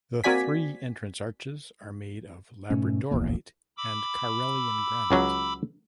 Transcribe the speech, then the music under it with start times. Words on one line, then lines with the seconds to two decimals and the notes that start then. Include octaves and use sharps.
The three entrance arches are made of labradorite and Karelian granite.
0.24 A#3 C4 F#4 D5 G#5 B6
2.70 G#2 B2 A3 C#4
3.11 D1 A#1 E2 A#3
3.77 B5 D6 E6
5.11 C#2 C#3 F#3